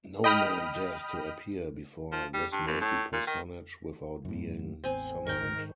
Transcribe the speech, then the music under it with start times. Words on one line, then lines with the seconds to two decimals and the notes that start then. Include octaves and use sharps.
No man dares to appear before this mighty personage without being summoned.
0.24 D#5 G5 B5 D#6 F6
2.12 F3
2.34 G3
2.52 G2
2.67 D#2
2.81 A2
3.13 A#2
3.27 D#3
4.25 F#2 A2
4.84 A1 E2 C4 G#5
5.27 G#2 D#3 A#4 G5 C#6